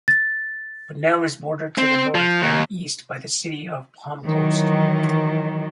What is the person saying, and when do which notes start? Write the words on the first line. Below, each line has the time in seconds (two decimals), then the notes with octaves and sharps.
Bunnell is bordered to the north and east by the city of Palm Coast.
0.08 A6
1.78 C4
2.15 F3
2.42 D#2
4.25 D#3 E3 F#3